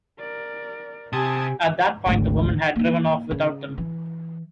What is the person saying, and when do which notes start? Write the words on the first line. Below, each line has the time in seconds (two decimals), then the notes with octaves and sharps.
At that point the woman had driven off without them.
0.19 A#4 D5
1.13 C3 G4 G#5 A5 C6 D#6 G#6
2.06 G#1 D2
2.75 A#3 D#4
3.31 C#3
3.78 E3